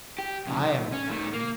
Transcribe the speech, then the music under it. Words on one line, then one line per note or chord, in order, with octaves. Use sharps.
"I am the captain."
G4
F2 C#3
B1
C#4
D#3 A3
A#3